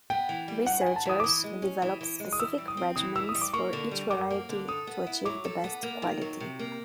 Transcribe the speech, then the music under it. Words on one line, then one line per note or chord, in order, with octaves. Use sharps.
Researchers develop specific regimens for each variety to achieve the best quality.
B3 G5
E3
G3
G2 F#5
B3 G#5
A5
E3 D#6
D6
E3 D#6
G#3
C#4
E3
E3
G#3
D#6
E3 E6
G3
D#6
C4
E3 D#6
E3 E6
D#6
G3
D6
A#3 C#6
D3
G3
F#2 D6
A#3
D3
A4 D#6
B3
E4
F#3 D6
A4
B3
A#3
D#3
F#3
C3
A#3